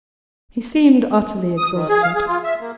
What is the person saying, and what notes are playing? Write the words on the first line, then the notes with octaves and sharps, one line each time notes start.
He seemed utterly exhausted.
D#6
D#3
G#4
F5
G#4
F4
E5
A#3